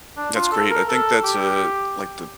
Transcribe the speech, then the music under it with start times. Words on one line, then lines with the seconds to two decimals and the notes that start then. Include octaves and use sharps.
That's great. I think that's, uh, like, the
0.17 D4
0.35 F4
0.52 A4
0.70 A#4
0.88 A4
1.24 G4